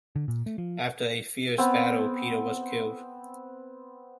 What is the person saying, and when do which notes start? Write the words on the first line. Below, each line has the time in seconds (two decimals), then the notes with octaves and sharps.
After a fierce battle, Peter was killed.
0.16 D3
0.28 A#2
0.46 A3
0.58 F3
1.58 B3 C4